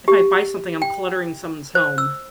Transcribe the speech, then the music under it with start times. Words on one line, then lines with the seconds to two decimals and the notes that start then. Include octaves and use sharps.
if I buy something, I'm cluttering someone's home.
0.08 G4
0.82 G5
1.75 C5
1.98 E6